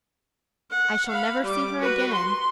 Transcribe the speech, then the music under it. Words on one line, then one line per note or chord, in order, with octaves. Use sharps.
I shall never see her again....
F#5
F5 B5
G3 D6
F#4 B4
C6